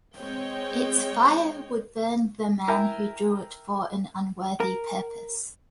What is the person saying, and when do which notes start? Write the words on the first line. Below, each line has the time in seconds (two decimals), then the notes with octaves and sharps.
Its fire would burn the man who drew it for an unworthy purpose.
0.17 G#3 C4 C#5 D#5 G5
2.68 E4 A#4 G5 G#5
4.60 A#4